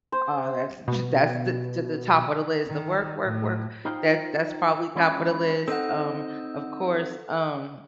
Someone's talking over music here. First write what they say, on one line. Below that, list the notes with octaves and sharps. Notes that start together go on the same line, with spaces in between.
uh, that's that's the the top of the list, the “work, work, work,” that's that's probably top of the list, um, of course, um,
C5
B2
D#3
A2
D#4 F4 C5 F5 G5
E3 G#3 C#4 D4 E4 F4
C4 D#4 A4 F#5